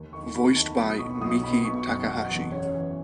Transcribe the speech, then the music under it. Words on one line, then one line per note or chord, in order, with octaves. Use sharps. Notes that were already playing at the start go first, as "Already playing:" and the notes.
Voiced by Miki Takahashi.
Already playing: D#2
D#3 C#6
D#2 B5
D#3 A5
B1 B5
D#6
B2 C#6
B1 D#6
B2 B5
B2 C#6
F#1
F#1 F#5
E2
C#3 C#5
E3